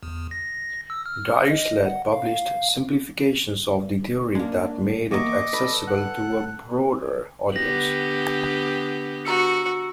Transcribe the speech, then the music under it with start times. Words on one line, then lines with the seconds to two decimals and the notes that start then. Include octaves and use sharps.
Dirichlet published simplifications of the theory that made it accessible to a broader audience.
0.03 E2
0.31 A#6
0.90 E6
1.06 F6
1.50 D#5
1.86 F#5
2.12 F5
4.35 G#3 A#3 D4
5.11 E2 A#3 D#5 C#6 D6
5.53 A4 B4 D5
5.87 F#5 F#6
7.52 D3 B3 G4 A#6 F#7
9.25 F#4 A#5 E6 C#7